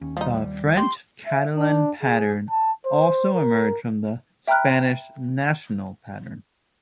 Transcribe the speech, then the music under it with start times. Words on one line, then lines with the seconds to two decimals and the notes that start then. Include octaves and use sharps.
The French Catalan pattern also emerged from the Spanish National pattern.
0.01 D#2 C#4
0.17 F3 G3 D#4
0.77 G4 C6
1.27 E5
1.57 D4
2.03 G#4
2.50 A5
2.86 C5
3.34 A#4
4.48 E5 G5 A#5 B5 F6 F#6